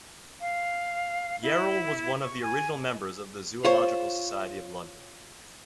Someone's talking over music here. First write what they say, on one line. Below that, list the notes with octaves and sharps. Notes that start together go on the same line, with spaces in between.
Yarrell was one of the original members of the Zoological Society of London.
F5
E4
C#6
G#5
F4 C5 C#5